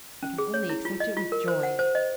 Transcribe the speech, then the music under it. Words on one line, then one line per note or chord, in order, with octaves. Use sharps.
I can only accept it with joy.'
C#4
G#4
C#5
E4
F4
D#5
F4
A#4
C5
F#5
C5
D#5